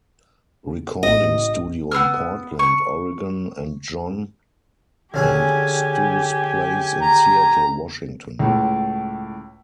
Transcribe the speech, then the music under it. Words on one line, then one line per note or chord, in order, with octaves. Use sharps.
Recording Studio in Portland, Oregon and John and Stu's Place in Seattle, Washington.
A1 D#5
B3 C4 E6 F6
C#6
D3 C#4 G4 G#4 G#5
A#5
C#2 A2